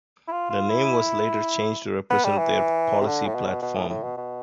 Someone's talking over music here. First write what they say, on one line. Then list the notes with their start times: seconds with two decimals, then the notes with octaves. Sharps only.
The name was later changed to represent their policy platform.
0.28 E4
0.32 F4
0.50 F4
0.69 E4
2.10 B3
2.24 G3
2.38 E3
3.01 C3
3.07 D3
3.27 A2
3.35 B2
3.62 B2
3.76 A2
3.89 A2
4.03 B2
4.17 B2